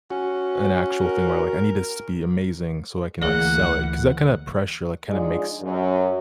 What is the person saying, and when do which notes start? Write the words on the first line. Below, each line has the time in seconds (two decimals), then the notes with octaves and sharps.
an actual thing where, like, "I need this to be amazing so I can, like, sell it." 'Cause that kind of pressure, like, kinda makes
0.10 C#4 F#4
1.02 A#4
3.22 D2 E3 A3 A#3 G#4 D5 F#5
5.08 G#2 F3 G#3 D4 G#4 D5
5.62 F#2